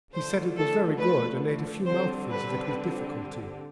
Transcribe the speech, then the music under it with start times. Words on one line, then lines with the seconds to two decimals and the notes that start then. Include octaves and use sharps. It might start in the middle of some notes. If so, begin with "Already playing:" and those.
He said it was very good and ate a few mouthfuls of it with difficulty.
0.14 D3 F3 A3 C5
0.57 A4
1.00 B4
1.86 D3 G3 C4 C5
2.29 B4